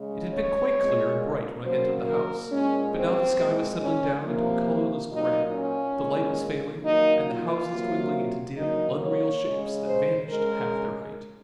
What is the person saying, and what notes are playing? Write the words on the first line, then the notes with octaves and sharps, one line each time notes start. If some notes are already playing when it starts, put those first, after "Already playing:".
It had been quite clear and bright when I entered the house, but now the sky was settling down into a colourless grey, the light was failing and the houses dwindling into dim, unreal shapes that vanished at half their height.
Already playing: C#3 G#3
C#5
A#2 G#3
C#3 F#3 A#3 C5
A#4
A#2 G#3 C#4
C4
A#2 G#3
C#4
C3 F3 A#3
A#2 F#3 A#3 D#4
C#4
A#2 G#3
D#3 F#3 A#3 D#4
F4
C3 F#3 A#3
D#3 F#3 A#3 D#4
C#5
C#3 G#3
C5
C#3 G#3 A#4